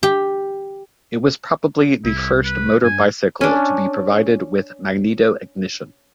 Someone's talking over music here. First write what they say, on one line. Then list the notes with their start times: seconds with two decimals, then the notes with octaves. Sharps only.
It was probably the first motor bicycle to be provided with magneto ignition.
0.03 G4
2.04 C2 E4
2.45 B4
2.83 G2 G#5
3.41 C#4 D4